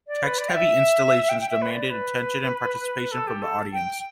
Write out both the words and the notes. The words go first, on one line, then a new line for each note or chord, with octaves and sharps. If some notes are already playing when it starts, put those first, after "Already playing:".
Text-heavy Installations demanded attention and participation from the audience.
D5
B4
D5
G5
E5
G5
G5
E5
B4
D5
B4
A4
G4
A4
G5